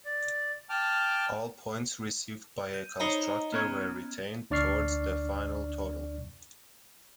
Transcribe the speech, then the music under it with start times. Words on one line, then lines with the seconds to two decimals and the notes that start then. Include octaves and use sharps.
All points received by a constructor were retained towards the final total.
0.05 D5
0.70 G5 A5 D6 F6
2.73 G6 D#7
3.00 D#4 C5 C#5 D#5 A#5 B5
3.52 A#3 B3 C#4
4.50 D2 D4 D5 C#6 F6 C7